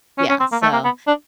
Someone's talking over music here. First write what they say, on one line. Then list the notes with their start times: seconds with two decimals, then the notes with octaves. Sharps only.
Yeah, so
0.18 C#4
0.29 C#4
0.40 C4
0.52 A#3
0.62 A3
0.73 A#3
0.84 B3
1.07 D4